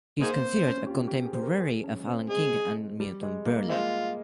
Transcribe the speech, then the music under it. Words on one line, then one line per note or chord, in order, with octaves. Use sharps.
He is considered a contemporary of Alan King and Milton Berle.
A#3 D#4 G#4 C5
C4
C#4
G4
F4
G4
G#4
C5
A#4
G#4
C#4
C4
G#3 G#4
G3
G#3
A#3
G#3 C4 F4